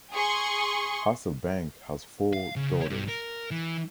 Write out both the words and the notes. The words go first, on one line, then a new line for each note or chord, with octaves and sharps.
Hasselbaink has four daughters.
G#4 C6 C#6
F5
C#3
G2
A#4
E3